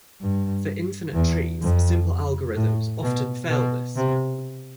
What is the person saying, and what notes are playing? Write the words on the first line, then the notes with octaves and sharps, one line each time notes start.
For infinite trees, simple algorithms often fail this.
G2
E2
F2
A2
B2
B2
C3